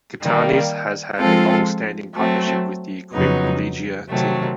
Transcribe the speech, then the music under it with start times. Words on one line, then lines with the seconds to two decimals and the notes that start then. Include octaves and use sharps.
Gitanes has had a long standing partnership with the Equipe Ligier team.
0.22 D#3 G3 A#3
1.18 F3 G#3 C4 F4 A4
2.15 F#3 A3 C4
3.12 F2 C#3 F#3 B3 D#4
4.09 C3 D#3 F#3 A3 C4